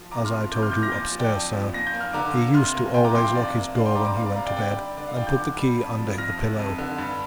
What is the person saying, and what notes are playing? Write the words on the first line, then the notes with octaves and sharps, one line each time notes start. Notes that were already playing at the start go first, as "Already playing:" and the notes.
As I told you upstairs, sir, he used to always lock his door when he went to bed and put the key under the pillow.
Already playing: F3
C3 A#5 D6
C6 F6
F3
C3 D6 G6
C6 F6
F3 D6 G6
F6 A#6
A#2 D6 G6
F3
D5 G5
F2
F3
A#2 A#6
G6
A#3
F6
D3 A#5 D6
A#3
C3 C6 F6
A#3
C3 G5 C6
A#5 D6
F3 G5 C6
F5
C3 D5
A#3
D4 F5
G5 C6
G3 A#5 D6
A#5 D6
C4 F5
D5
C3 F5 A#5
D5 G5
D3 D5 G5
G3
D3 D5
F5
F3 D5 G5
D6 G6
D3
G3
F2
F3
F2 F6 A#6
C3
F2
D3
G2